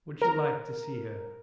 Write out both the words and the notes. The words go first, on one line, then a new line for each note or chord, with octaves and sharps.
Would you like to see her?
A#4